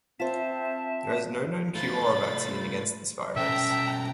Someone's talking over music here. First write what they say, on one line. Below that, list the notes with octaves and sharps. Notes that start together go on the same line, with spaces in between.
There is no known cure or vaccine against this virus.
C4 F4 C5 E5 A5
A3 F4 C5 B5 A6
B2 C#4 A4 E5 G5 A5 A#5